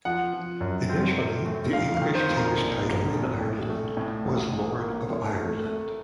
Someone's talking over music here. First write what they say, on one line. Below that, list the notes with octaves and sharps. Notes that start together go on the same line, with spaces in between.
Initially, the English king's title in Ireland was "Lord of Ireland".
F3 F#5
F3
F#2
C4
A3
A3
F2 F5
F5
D#3
C5
F2
A#4
A#1
A#1
A#1
A2
A3
A2
A1
A2
A#3
A2
A3
A3